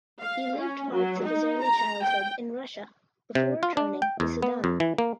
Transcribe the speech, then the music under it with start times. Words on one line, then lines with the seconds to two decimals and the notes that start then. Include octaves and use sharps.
He lived parts of his early childhood in Russia before returning to Sudan.
0.21 F5
0.58 C#4
0.92 F#3
1.23 D#4
1.62 A#5
2.04 G5
3.35 C3
3.63 F4
3.77 D4
4.02 G5
4.20 E2
4.42 B3
4.64 F2
4.80 E3
4.98 A#3